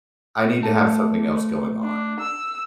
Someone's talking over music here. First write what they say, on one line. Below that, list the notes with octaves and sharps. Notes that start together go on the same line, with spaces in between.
I need to have something else going on,
A3 A4
D4
E6